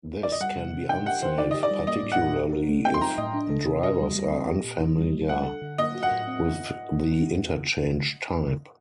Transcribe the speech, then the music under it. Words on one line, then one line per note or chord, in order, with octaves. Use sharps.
This can be unsafe particularly if drivers are unfamiliar with the interchange type.
D5
D#5
G3 F#5
C3
C3
D4 G5
G4 F#5
D#3 C5
D#4 D5
G4 D#5
D5
G3
A#3 D#5
A2
F#5
A2
G4
A#4
A3
C4 G5
C6
D#4 A#5
A2 D#5
D4
A4
C3
F#4 D#5
G3
G3
C4
G4
A#2
D#4
G3
G3
D4 F#5
A4
D3
A#3 D#5
F#4
F#5
A2
C4